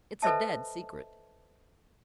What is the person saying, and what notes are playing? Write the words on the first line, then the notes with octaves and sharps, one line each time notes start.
It's a dead secret.
A4 B4 C5 D#5 E5 A5